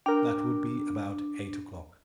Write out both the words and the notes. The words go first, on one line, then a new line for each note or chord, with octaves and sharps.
That would be about eight o'clock.
D4 A#4 G5